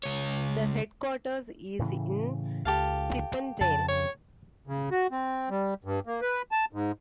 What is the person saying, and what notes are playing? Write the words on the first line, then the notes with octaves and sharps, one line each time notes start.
The headquarters is in Chippendale.
C#2 C#5
A2 C#3 E3
C#2 G4 A4 F5
F2 C#3 A5
C#5
C#3
F#4
C4
G3
G2
A#3
B4
A5
G#2